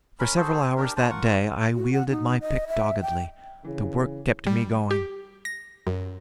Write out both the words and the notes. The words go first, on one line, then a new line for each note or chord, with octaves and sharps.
For several hours that day, I wielded my pick doggedly. The work kept me going.
C#4 A#4 B5
F#4 G#4 A4 C5
G#5
D4 G4 A#4
D4 C5 A5
F4 A#4 F#5 C#6
F#4
F#5
D#4
D#5
E5
G5
C#3 E3
G3
G4
A#6
F#2